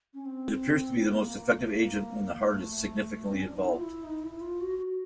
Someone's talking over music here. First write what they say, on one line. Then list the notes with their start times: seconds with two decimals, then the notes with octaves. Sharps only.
It appears to be the most effective agent when the heart is significantly involved.
0.14 C#4
0.26 C4
1.01 B3
1.11 B3
1.20 A#3
1.38 A#3
1.57 A3
1.76 A#3
2.52 A3
3.28 C4
3.38 C#4
3.47 D4
3.56 D#4
3.66 E4
3.73 F4
3.81 E4
4.04 D#4
4.22 E4
4.32 E4
4.41 F4
4.61 F#4
4.79 F#4